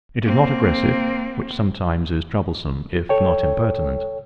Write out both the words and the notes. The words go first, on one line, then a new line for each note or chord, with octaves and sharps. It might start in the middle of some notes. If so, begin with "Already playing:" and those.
It is not aggressive, which sometimes is troublesome, if not impertinent.
A#3 C4
A4 C#5 G5